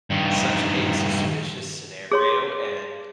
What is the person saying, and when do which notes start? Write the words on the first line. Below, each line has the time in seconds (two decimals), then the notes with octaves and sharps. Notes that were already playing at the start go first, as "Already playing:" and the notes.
such a suspicious scenario, and
0.10 G2 D#3
2.12 G#4 C#5 C6